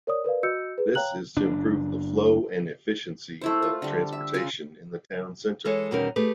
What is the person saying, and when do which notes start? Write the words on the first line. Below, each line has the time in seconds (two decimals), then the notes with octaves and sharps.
This is to improve the flow and efficiency of transportation in the town centre.
0.07 A#4 C#5 D5 D#6
0.24 A#4 B4 D5 F5
0.43 F#4 D#5 E6 G6 C#7
0.78 G#4 B4
0.95 C#5 F5 G5 A#5 F#6 F#7
1.37 F#1 D4
3.41 A3 E4 C5
3.62 F4
3.82 D3 G3
4.13 E5
4.34 C#3 F4 G#5
5.65 E3 G#3 A4 C#5
5.91 E2 B2 D#3 G3 C#4 A#4
6.16 A3 G4 G#4 B4